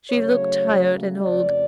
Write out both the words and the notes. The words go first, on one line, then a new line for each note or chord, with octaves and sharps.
She looked tired and old.
C#3 F#3 A3 C#5
F2 C#3 F3 A3 D5